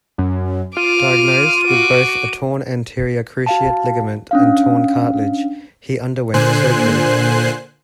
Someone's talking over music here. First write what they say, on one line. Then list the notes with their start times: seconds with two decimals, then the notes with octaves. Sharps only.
Diagnosed with both a torn anterior cruciate ligament and torn cartilage, he underwent surgery.
0.18 F#2
0.77 F4 D6 F6 D#7
1.65 F#4 D6
3.46 F#4 F5 A5
4.31 C#4 D4 F5
6.34 A#2 D3 C5 G#5 F#6 C7